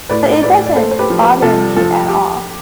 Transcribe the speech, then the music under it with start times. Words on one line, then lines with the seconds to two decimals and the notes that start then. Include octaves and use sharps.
But it doesn't bother me at all.
0.09 A2 B4 D5
0.43 A2 B4 D5
0.66 D5
0.76 A3 A4 C5
0.91 C5
0.99 G4 B4
1.10 F3
1.20 G4 B4
1.42 C3 F4 A4
1.77 F3 F4 A4
2.09 G4